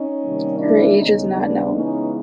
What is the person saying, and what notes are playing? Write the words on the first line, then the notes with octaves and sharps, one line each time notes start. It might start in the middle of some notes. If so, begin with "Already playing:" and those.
Her age is not known.
Already playing: C#4 D#4
C3 D#3 G3 A#3
D4 E4
D#2 C#3 E3 G3 B3 C#4 D#4
D4
C#3 E3 G#3 B3 C#4 D#4